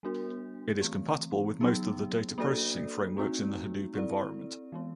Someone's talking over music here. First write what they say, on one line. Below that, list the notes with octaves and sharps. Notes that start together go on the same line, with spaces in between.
It is compatible with most of the data processing frameworks in the Hadoop environment.
G3 B3 D4 F#4 A#4
E3 A3 C4
F#3 B3 D#4 G#4
A#3 D4 F#4 A4 D5
A3 C4 D#4 F#4
C4 E4 A4 D5
E3 G#3 B3